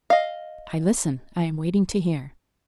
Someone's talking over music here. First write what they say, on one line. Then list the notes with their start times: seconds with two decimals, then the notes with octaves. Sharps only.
"I listen--I am waiting to hear."
0.10 D#5 F5